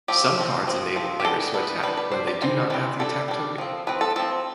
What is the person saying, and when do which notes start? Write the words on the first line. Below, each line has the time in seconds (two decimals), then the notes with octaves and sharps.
Some cards enable players to attack when they do not have the attack token.
0.08 F3 C4 G4
0.38 F3 C4
0.67 F3 C4
0.96 F3 C4
1.20 G4
1.25 E3 B3 D4 A4
1.54 E3 B3 D4 B4
1.83 G3 D4 B4
1.97 B4
2.12 G3 D4 C5
2.27 D5
2.41 E3 G3 C4 C5
2.70 E3 G3 C4 B4
2.99 G3 D4 A4
3.28 G3 D4
3.58 F3 C4
3.87 F3 C4 B4
4.01 A4
4.16 F3 C4 A4